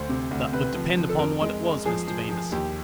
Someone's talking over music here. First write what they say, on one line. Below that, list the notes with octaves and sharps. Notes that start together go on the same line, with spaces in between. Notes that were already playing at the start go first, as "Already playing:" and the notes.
'That would depend upon what it was, Mr Venus.
Already playing: D2 C5
C3
D2
C3 B4
F3
F3
A4
F2 A#4
G#3
G#3
F3 G#4
F3
F3
D#2 G4